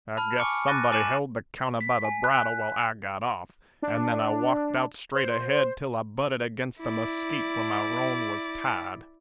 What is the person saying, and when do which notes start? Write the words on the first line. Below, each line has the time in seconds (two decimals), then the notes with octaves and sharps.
I guess somebody held the counter by the bridle while I got off; and then I walked out straight ahead till I butted against the mesquite where my roan was tied.
0.17 A5 B5 F6
0.38 G#5 C#6 D6 C#7
0.67 D6 F#6 A6 A#6 D#7
0.92 G#5 D6 A6 D#7 E7 F#7
1.81 B6
2.05 G#5
2.24 F#6
3.82 D4
5.16 C5
6.80 E4 D5